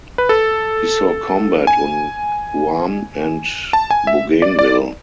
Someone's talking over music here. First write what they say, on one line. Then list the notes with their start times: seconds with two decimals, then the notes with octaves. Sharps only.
He saw combat on Guam and Bougainville.
0.18 B4
0.29 A4
1.67 G#5
3.73 A5
3.91 G#5
4.07 E5
4.42 D5
4.59 D5